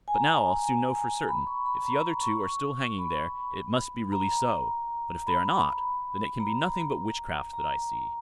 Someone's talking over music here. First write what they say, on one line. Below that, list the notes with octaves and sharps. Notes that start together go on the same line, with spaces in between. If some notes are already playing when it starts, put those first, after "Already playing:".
But now I'll soon know for certain; if the other two are still hanging there, it must be really so; but if they are not, then it can be nothing but witchcraft that I see.'
G#5
A#5
B5
C#6
B5
A#5
C#6
B5
A#5
B5
A#5
A#5